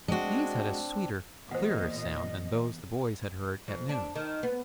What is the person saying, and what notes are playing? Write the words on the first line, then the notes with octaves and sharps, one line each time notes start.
These had a sweeter, clearer sound than those the boys had heard at noon.
G#3 C4 D4 F#4
A#2 E3 B3 G4 C5 D#5 F#5
F2
D4
D#3
B3